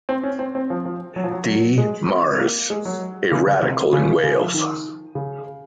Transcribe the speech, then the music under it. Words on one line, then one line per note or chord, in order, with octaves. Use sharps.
D. Mares: A Radical in Wales.
C4
C#4
C4
C4
F3
F3
F#3
F3
F#3
F#3
G#3
C4
A#3
G#3
F#3
C#3
C#3
C3
C#3
C#3
F3
D#3
C#3